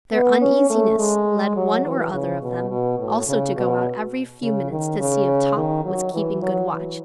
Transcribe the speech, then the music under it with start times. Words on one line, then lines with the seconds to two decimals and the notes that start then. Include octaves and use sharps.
Their uneasiness led one or other of them also to go out every few minutes to see if Top was keeping good watch.
0.12 B3
0.41 C#4
0.70 A3
0.99 G#3
1.56 F#3
1.84 E3
2.13 C#3
2.42 B2
2.70 B2
2.99 A2
3.27 C#3
3.56 B2
4.42 C#3
4.70 D#3
4.99 C#3
5.57 D#3
5.85 F#3
6.13 E3
6.42 F#3
6.71 E3